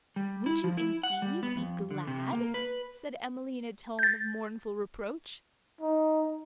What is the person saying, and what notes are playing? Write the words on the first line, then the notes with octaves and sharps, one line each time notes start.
'Would you, indeed, be glad?' said Emily, in a tone of mournful reproach.
G3
E4
F3
E4
F#5
G3
B3
F2
D3
C3
A#3
B4
G6 A6
D#4